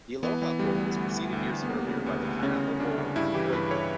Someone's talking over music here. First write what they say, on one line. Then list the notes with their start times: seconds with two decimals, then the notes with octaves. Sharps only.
The Aloha Bowl was preceded years earlier by the Pineapple Bowl and Poi Bowl.
0.23 E3 B3
0.42 E3
0.59 D2 G3
0.78 D2
0.96 D2
1.14 E3
1.33 D2
1.51 D2
1.63 B3
1.69 D2 A#3
1.87 C#3
2.06 D2 B3
2.25 D2
2.43 C#3 C#4
2.61 D2
2.80 D2 D4
2.98 C#3
3.16 G2 E4
3.34 E3 G4
3.53 G2 B4
3.71 G2 C#5